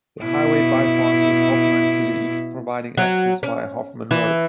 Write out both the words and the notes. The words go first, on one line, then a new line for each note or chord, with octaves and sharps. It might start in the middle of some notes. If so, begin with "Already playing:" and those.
The highway bypasses Hoffman to the east, providing access via Hoffman Road.
B2 E4
F#3
C#4
E3